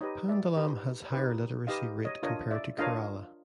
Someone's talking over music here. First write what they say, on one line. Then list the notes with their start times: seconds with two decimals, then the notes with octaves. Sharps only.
Pandalam has higher literacy rate compared to Kerala.
0.01 D#4 G4 B4 C#5 D#5
0.28 D5 E5
0.57 D#4 G4 B4
1.12 D#4 G4 B4
1.67 D#4 G4 B4 D#5 F5
2.05 C#5 D#5
2.23 D4 F4 A#4 C#5 D#5
2.51 D5 E5
2.78 D4 F4 A#4 C#5 D#5 F5